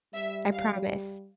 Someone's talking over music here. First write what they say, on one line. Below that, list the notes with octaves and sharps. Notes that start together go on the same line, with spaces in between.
I promise.
G3 E5
F5